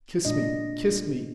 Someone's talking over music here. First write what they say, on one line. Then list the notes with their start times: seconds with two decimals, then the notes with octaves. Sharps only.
Kiss me, kiss me!
0.25 A#2 G#3 D4 D#5